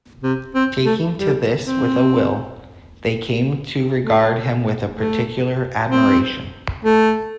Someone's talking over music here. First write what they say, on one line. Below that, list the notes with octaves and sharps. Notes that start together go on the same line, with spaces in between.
Taking to this with a will, they came to regard him with particular admiration.
C3
C4
A3
G3
C4
A3
A3
C4
A3